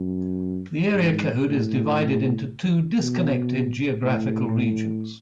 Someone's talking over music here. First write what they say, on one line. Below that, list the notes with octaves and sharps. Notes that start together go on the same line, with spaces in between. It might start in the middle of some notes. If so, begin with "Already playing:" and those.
This area code is divided into two disconnected geographical regions.
Already playing: F#2
G#2
A2
B2
A2